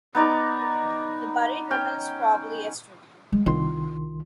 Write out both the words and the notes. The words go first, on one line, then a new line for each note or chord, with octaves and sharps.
The buried woman was probably Estrid.
B3 D#4 D5 A#5
C#4 G5
G#3
C2 D#3 F4 C6